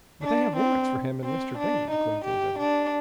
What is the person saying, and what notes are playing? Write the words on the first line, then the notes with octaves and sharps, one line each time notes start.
"But they have warrants for him and Mr. Damon," declared the inventor.
D4
C4
C4
D4
D#4
G4
D4